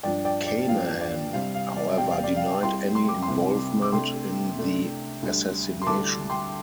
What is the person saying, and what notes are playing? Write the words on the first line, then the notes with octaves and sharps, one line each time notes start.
Kanaan however denied any involvement in the assassination.
G2 F3 D4 D5 G5
D5 G5
D5
G2 F3 D4 F5
D5
C3 G3 C4 F5
F5
D5
C3 G3 C4 G5
F5
D5
F5
C2 C3 G3 C4 G5 C6
C6
D6
G5 C6
C2 C3 G3 C4
D6
C3 A3 D4 G5 C6
C3 A3 D4
D2 D3 G3
C6
D2 D3 G3 A5 D6
G5 C6